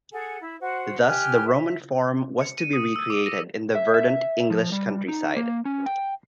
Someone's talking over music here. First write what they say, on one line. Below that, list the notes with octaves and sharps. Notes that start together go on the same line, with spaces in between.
Thus the Roman Forum was to be recreated in the verdant English countryside.
G#4 A4 F#5 G#5
E4
F#4 C5 F#5
G4 G#5 F6 F#6
E5
C#7
D#7
D#6
E6
D6
A#6
E5
E5
F3
G3
D#4
A#3
C#4
G5